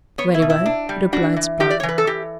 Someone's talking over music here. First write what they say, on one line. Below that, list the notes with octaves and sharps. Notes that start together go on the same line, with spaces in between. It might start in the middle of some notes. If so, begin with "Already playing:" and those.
"Very well," replied Spargo.
B3 C#5
E4
B2
E4
D4
G3
D4 F#4
E3
E3 G4
D5
C#5
E3
B4
A4
E3 G4